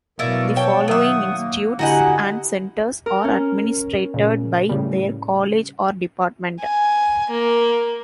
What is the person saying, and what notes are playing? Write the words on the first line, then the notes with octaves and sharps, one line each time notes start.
The following institutes and centers are administered by their college or department.
B2 F#3 A3 E4 A#4 D5 F5
B3 C#5 G5 A5
D#3 F#3 E5 F#5 D#6
A#3
D3 E4 F#4 G4 D#5 F#5 G#5 A#5
A#4
C#4
A#2 C#3
A2 C#3 G3
G#5
A#3